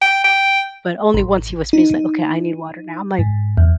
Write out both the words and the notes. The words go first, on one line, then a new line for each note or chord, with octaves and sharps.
but only once he was finished, "Okay, I need water now." I'm like,
G5
G5
A1
D#4
G#2
E2